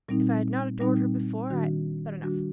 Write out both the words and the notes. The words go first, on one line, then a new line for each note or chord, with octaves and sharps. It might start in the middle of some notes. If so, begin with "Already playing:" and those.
If I had not adored her before I--but enough.
A#2 G3 C4 D#4
A#2 G3 C4 D#4
D#3 G3 D4 F#4
D#3 G3 D4 F#4